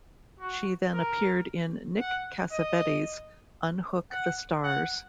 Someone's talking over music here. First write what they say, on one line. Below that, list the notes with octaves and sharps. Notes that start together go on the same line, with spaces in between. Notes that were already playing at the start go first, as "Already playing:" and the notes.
She then appeared in Nick Cassavetes's "Unhook the Stars".
F#4
A#4
F#5
D#5
F#5
F#5